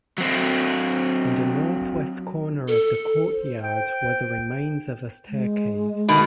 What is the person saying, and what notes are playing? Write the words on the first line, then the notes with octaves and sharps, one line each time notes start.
In the north-west corner of the courtyard were the remains of a staircase.
F#3 C4
A4
C5
G5
C5
G#3
B2 D#3